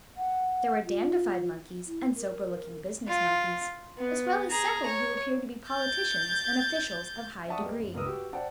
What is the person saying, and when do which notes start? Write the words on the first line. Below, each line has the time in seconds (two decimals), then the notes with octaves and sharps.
There were dandified monkeys and sober-looking business monkeys, as well as several who appeared to be politicians and officials of high degree.
0.17 F#5
0.86 F4
1.87 E4
2.17 A#4
3.08 F4
3.98 B3
4.50 G#4 A#5
4.86 C#5
5.69 G6 A6
7.48 D5 E5 F#5 A5 C#6 D#6
7.60 G3 G#3 A#3 B3
7.79 F#2
7.94 C#2 G2 A#4 B4 D#6 E6
8.06 F#4 G4 B4
8.33 C5 D5 F#5 G5 A5